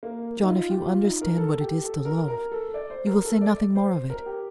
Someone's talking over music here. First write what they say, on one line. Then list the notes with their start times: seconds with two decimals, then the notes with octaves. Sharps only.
John, if you understand what it is to love, you will say nothing more of it.
0.03 A#3
0.43 D#4
0.47 F4
0.70 G4
0.87 F4
1.04 D#4
1.21 A#4
1.38 A4
1.60 G4
1.84 A4
2.05 A#4
2.28 A#4
2.51 A4
2.74 D5
2.90 C5
3.07 A#4
3.25 A4
3.41 D5
3.75 C5
4.10 A#4
4.26 G4